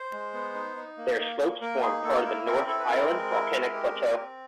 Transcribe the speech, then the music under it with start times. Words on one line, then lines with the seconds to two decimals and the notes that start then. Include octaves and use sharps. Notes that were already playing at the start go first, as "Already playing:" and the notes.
Their slopes form part of the North Island Volcanic Plateau.
Already playing: C5
0.12 G#3
0.34 B3
0.54 D#4
0.76 D#4
0.97 A#3
1.18 A#3
1.40 A#3
1.61 A#3 A#4
1.82 D#4 G#4
2.04 A#3 A4
2.25 E4 A#4
2.46 C4 A#4
2.67 E4 A4
2.79 B4
2.89 C4 A#4
3.10 G#3
3.31 E4
3.53 G#3
3.74 G4
3.95 C4
4.17 C4